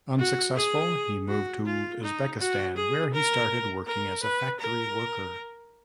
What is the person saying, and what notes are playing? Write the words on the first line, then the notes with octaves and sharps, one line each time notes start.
Unsuccessful, he moved to Uzbekistan, where he started working as a factory worker.
F#4
G#4
F#4
F4
D#4
F#4
G#4
A#4
A#4
B4
A#4